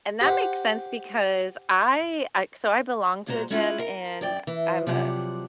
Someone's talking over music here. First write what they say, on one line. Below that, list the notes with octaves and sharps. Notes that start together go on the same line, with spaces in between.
and that makes sense because I uh so I belong to a gym, and I'm a
G4 C5 F#5
A#2 G#3 F#4 C5 A#5
G#3 C#4 E4 F4 F#5
A#4
F#2 D5 G5
E3
C3 F3 F#3 G4 D5 F#5